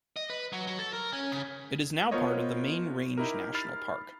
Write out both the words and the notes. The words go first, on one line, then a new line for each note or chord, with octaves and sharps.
It is now part of the Main Range National Park.
D#5
B4
F#3
F#3
A4
A#4
C#4
C#3
B3 F4 A#4 C5 C#5 D#5
D#4 E4 G4 A#4
B5 F6 A6 C7